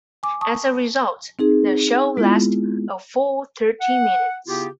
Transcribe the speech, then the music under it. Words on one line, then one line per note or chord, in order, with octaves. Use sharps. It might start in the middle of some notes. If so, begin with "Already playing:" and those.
As a result, the show lasted a full thirty minutes.
G#5 D6
A5 C#6 D#6
C4 D#4 G#4
G#3 B3 E4 F4
F#5
C#3 B3 E4 F4 G4